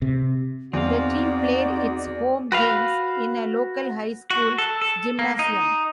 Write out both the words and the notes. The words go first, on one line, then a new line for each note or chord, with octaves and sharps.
The team played its home games in a local high school gymnasium.
C3
E2 C4 D#4 F#4 D5 F5
F#4 B4 F5
F#4
A4
A4
A#3
D#4